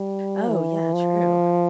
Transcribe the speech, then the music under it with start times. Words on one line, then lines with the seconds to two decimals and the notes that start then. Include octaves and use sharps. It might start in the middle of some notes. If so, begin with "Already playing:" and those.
Oh, yeah. True.
Already playing: G3
0.48 E3
0.94 F3